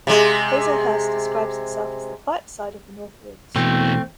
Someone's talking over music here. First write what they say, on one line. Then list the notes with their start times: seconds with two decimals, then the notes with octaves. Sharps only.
Hazelhurst describes itself as the Quiet side of the North Woods.
0.07 C3 G#3
3.56 B2 E3 A3 C4